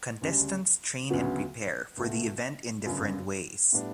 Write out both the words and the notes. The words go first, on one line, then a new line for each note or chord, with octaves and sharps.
Contestants train and prepare for the event in different ways.
D2 C#3 G3 D4
D2 C#3 F#3 B3
C#2 B2 A3
G1 F#2 C#3
A2 G3 B3 D4